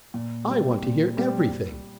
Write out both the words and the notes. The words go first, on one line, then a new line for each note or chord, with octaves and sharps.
"I want to hear everything."
A#2
G3 C4
A#2
G3 C4
G3